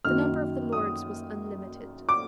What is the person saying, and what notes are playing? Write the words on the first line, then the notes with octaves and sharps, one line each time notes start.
The number of the Lords was unlimited.
F#2 D#3 F#3 A#3 F6
D#6
D6